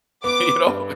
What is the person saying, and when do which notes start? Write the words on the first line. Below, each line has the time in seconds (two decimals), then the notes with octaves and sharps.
you know?
0.24 B3 D6
0.66 G2